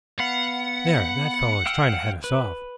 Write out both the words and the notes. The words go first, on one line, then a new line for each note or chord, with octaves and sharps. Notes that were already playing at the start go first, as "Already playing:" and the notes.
"There, that fellow is trying to head us off."
B3 F5 F#5
F5 G5 E6
B4